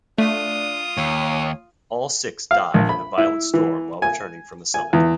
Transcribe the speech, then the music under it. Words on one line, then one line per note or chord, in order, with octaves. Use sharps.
All six died in a violent storm while returning from the summit.
A3 D4 F4 D#6
D#2 C#5
F5
A#1
B5
E4
E3
G#5
G#5
E2